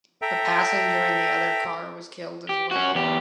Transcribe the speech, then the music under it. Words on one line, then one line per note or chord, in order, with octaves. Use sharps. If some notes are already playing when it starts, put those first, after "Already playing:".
A passenger in the other car was killed as well.
A4 E5 G5 A#5
G4
C#4 F#4
E2 G4